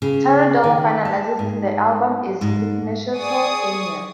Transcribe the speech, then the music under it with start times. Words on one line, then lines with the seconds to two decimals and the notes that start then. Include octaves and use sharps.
Tarradell finalises with the album is "quintessential Enya".
0.02 C#3
0.64 D#3
1.05 A5
1.39 G#2
2.41 G#2
3.15 G#4 D5 C#6 D#6